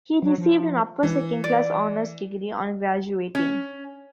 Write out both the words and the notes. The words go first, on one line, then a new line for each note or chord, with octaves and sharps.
He received an Upper-Second Class Honours degree on graduating.
F#3
F3
E3
D5
C#4